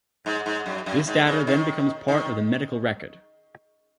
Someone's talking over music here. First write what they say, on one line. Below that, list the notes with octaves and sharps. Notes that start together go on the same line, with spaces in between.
This data then becomes part of the medical record.
G#2
G#2
F#2
F#2
G#2
C#3
D#3
D#3